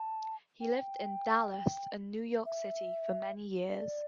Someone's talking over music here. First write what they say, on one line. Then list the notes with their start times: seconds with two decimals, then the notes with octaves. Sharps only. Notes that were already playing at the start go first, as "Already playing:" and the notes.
He lived in Dallas and New York City for many years.
Already playing: A5
0.60 G5
2.46 E5
3.70 D5